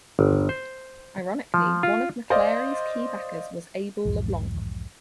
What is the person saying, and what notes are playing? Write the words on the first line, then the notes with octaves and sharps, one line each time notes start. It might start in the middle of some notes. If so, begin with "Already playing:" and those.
Ironically, one of McAlary's key backers was Abel LeBlanc.
G1
C5
F3
F4
C5 D5 D#5 F5
B1 E2 G#2 F3